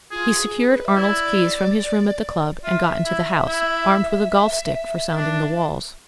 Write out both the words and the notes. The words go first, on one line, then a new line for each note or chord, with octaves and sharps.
He secured Arnold's keys from his room at the club and got into the house, armed with a golf-stick for sounding the walls.
F4 G#4
G#4
B4
E5
E4 D5
F4 E5
E4
E4
D4